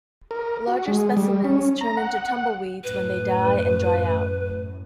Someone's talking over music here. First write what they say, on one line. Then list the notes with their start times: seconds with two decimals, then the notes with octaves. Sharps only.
Larger specimens turn into tumbleweeds when they die and dry out.
0.31 A#4
0.67 F#4
0.88 G#3
1.17 G3
1.44 C#4
1.81 A#5
1.97 F#5
2.84 F#2 A2 B4